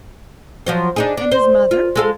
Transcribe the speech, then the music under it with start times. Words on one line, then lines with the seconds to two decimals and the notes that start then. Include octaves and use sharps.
"And his mother?"
0.66 F3 F#3 C5
0.96 D4 D#4 G#4
1.17 D4
1.32 C5
1.71 F4
1.96 G#3 A4 F5